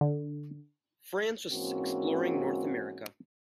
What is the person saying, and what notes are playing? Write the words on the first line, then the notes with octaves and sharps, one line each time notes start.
France was exploring North America.
D3
G#2 E3 A#3 C4 C#4 F#4